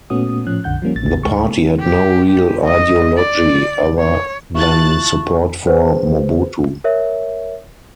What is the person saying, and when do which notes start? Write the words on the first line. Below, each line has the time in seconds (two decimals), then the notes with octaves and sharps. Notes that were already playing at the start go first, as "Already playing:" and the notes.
The party had no real ideology other than support for Mobutu.
0.10 A#2 A3 B3 C#4 F#4 D#6
0.46 A2 F3 C#4 F#6
0.64 A#1 F2 D3 F#5 G6
0.82 F3 G3 A#3 C#4
0.95 A1 A2 A6
1.23 D2 G#3 C#6
1.79 G4
2.31 G4
2.64 D#5
3.17 D5
3.99 C#5
4.55 E4 F4 A5 C#6 F#6 A6
5.67 G#4 B4 C5
6.84 A#4 C#5 E5